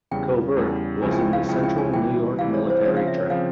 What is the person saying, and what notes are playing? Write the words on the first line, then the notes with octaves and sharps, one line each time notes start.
Covert was in the Central New York Military Tract.
E2 C#3 G3 G5
E2 C#3 G3
C#2 C#3 F3 C4 E4 G#5
G#5
G5
F5
C#2 C#3 F3 C4 E4 G5
G5
G#5
C3 E3 G3 G5
C3 E3 G3 F5
C#5
C5
C#3 F3 C4 C#5
F5
E5
C#5
C#3 F3 C4 F5